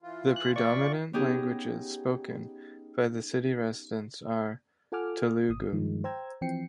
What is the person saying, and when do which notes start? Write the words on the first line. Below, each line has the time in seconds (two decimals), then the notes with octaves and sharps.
The predominant languages spoken by the city residents are, Telugu.
0.02 E3 F4
0.36 F#6
0.56 D5 C#6
1.13 B3 C#4 D#4 G4 G#4
4.92 F4 A4 F#5 G#5 D6 F6
5.48 G#1 D#6
5.72 G2 D#3 F3 G#3
6.04 C5 G5 A#5 E6 G#6
6.41 E3 F3 C4 G5 C7 C#7